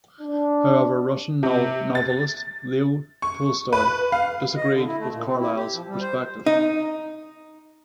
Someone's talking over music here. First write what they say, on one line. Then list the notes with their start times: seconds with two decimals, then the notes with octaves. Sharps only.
However, Russian novelist Leo Tolstoy disagreed with Carlyle's perspective.
0.21 D4
1.43 C3
1.95 A6
3.22 C#6
3.73 B4
4.12 F5
4.57 D#5
4.72 D3
4.85 E4
4.99 A3
5.11 A#2
5.26 C4
5.39 E4
5.56 G4
5.73 F3
5.87 G3
6.00 C5
6.46 D#4